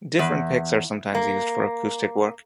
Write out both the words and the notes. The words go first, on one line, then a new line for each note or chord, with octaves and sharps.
Different picks are sometimes used for acoustic work.
E2
A#3